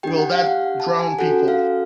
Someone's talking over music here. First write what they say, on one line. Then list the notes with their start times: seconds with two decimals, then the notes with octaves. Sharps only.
Will that drown people?
0.03 D4 G4 G5
0.18 F#5
0.32 F5
0.47 F#5
0.80 A5
0.99 G#5
1.19 C#4 F#4 A4 F#5
1.48 F5